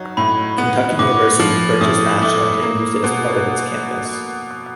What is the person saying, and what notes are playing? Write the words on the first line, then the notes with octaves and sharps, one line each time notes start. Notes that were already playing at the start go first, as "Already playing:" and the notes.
Kentucky University purchased Ashland and used it as part of its campus.
Already playing: F#3 D#4
A2 B5
B3
A2 D6
F3
A2 D#6
A3 D6
A#3
B2